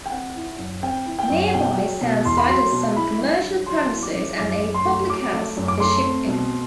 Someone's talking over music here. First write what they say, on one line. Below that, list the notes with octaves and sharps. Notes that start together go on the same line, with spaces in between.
Nearby Sandside has some commercial premises and a public house, The Ship Inn.
G5
C4 F#5
E4
F#2
C4 G5
E4
G5
F#2
F#5
B2 G5
F#3
B2
E2 C6
B5
F#3 C6
B2
E4 B5
G2
F#3
F#3 C6
E4
D6
E4
F#2 D6
F#2
C6
A3
F#3 D6
A3
F#2
D6
A3 C6
C4
B2